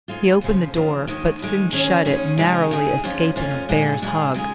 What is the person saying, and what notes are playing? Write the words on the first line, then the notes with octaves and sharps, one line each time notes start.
He opened the door, but soon shut it, narrowly escaping a bear's hug.
G#2 G#3 F4
D#2 C#3 F3
D#2 C#3 F3
D#2 D#3 G#3
D#2 D#3 G#3
D#2 D#3 C#4 G#4
D#2 D#3 C#4 G#4
C#3 G#3 D#4 G#4
C#3 G#3 D#4 G#4
F2 F3 C#4 F4
F2 F3 C#4 F4
A#2 G#3 D#4 G#4
A#2 G#3 D#4 G#4
C#3 G#3 F4 G#4